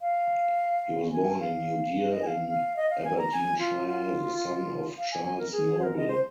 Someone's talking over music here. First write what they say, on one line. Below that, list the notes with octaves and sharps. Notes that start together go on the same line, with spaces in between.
He was born in New Deer in Aberdeenshire the son of Charles Noble.
F5
G#5
F5
D#5
G#5
F5
F5
D#5
F5
G#5
A#5
G#5
F4
F4
F5
G#5
G#5
A#4
G#4
C5
A#4
D#5
C5